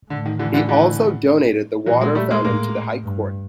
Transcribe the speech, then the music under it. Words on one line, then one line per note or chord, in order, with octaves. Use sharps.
He also donated the water fountain to the High court.
A2 D3
D#3
D3 E3
D3 E3
D3 E3
A#2 E3 F#3
F#3 G#3
G3 A3
G#3 A#3
A2 G#3 A#3
G2